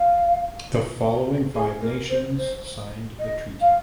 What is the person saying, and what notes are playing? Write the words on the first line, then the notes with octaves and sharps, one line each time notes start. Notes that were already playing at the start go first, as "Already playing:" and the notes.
The following five nations signed the treaty.
Already playing: F5
G#4
A#4
C5
C5
D#5
F5